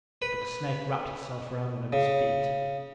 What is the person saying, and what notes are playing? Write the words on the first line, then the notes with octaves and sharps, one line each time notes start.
But the snake wrapped itself around one of his feet.
B4
C#3